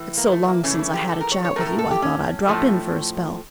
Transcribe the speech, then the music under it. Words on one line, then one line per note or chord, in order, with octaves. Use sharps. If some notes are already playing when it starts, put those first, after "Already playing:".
It's so long since I had a chat with you I thought I'd drop in for a spell.
Already playing: A2 E3
A#3
A3
A#3
C#3 E3 A3 C#4
D4
C#4
G4
A4
A#4
C#5
C#5
A2 F3 A3 A4 A#4
A#4
A4
G4
C#4
A2 F3 A3